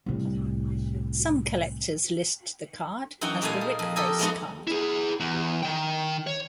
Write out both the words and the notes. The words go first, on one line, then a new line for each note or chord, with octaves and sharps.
Some collectors list the card as the "Rick Face" card.
C2 A2
F#2 E3 D#4 F#4 F#5 G5
A#2 G3 A3 F5 G#5
G#4
F2
G4 A4 A#4 D#5 G#5
F3 G#3 B3 C4 D#4 F#4
E4 G#4
E2
D#3 G5
C#5